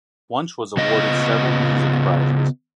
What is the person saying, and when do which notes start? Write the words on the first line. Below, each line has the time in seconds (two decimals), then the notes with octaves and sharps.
Wunsch was awarded several music prizes.
0.77 C#3 B3 F4 D#5